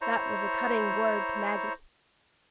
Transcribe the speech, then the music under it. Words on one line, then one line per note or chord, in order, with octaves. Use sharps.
That was a cutting word to Maggie.
E4 C5 C#5 A#5